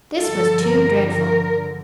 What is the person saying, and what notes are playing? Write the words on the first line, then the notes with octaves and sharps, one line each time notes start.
This was too dreadful.
G2 D3 F3 A4
A#4
A#4